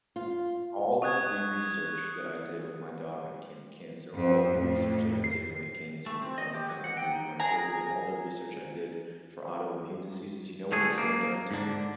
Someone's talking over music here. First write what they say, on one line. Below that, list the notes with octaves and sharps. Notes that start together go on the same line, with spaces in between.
All of the research that I did with my dog when it came to cancer, all the research that I did when it came to recovering from injury from my surgery, and all the research I did for autoimmune diseases, you know what it stemmed down to?
F4
C#6 D#6 F#6 G#6
F2
F2 A2
C7
A3
C4
D#5
G4
F#3
F#5
G5
D#4
G#4 A#5
D3 A3 G#4
A#3
G#2 D3